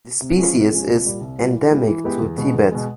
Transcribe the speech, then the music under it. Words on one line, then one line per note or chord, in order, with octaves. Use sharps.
The species is endemic to Tibet.
C3
F3 G#3 C#4
C3
F3 G#3 C#4
C2
A#2 G3
C2
A#2 G3
E3
G#3 B3 E4 G4
E3
G#3 B3 E4 G4
E2
B2 G#3
E2
B2 G#3